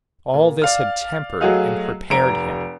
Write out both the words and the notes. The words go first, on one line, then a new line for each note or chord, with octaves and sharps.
All this had tempered and prepared him.
A#2
D5 F5 F6
F#3 A3 F#4 G#4 D#5 F5
F1 A#5 D7